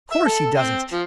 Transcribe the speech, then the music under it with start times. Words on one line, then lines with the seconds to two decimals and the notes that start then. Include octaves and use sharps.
Of course he doesn't.
0.12 E5
0.26 A4
0.57 C4
0.93 F3